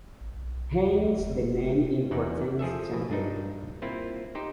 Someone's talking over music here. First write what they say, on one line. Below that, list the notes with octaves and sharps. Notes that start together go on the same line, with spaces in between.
Hence the name importance sampling.
A1
B1
D#2
F1
E2 E3 D#4 F#5
F3 G#4 A4 E5
B2
G2 D4 D#4
A#3 C4 E4 F4
D#4 G4 C5